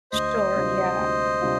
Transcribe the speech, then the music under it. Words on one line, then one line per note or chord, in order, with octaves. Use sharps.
Sure, yeah.
D2 C5 D#5
C3 G3 D4 F4
D2
C3 G3 D4 F4